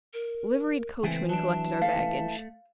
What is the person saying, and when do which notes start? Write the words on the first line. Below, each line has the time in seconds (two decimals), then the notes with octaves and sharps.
Liveried coachmen collected our baggage.
0.14 A#4
1.03 C#2 E3 A3 C4 G#5
1.29 F#3 D4 A5
1.82 A3 F5